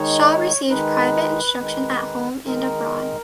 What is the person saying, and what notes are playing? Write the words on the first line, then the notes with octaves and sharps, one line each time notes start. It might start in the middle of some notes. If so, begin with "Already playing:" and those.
Shaw received private instruction at home and abroad.
Already playing: D#3 G#3 D#4 C#5
D#3 G#3 D#4 B4
D#3 G#3 D#4
D#3 G#3 D#4 A#4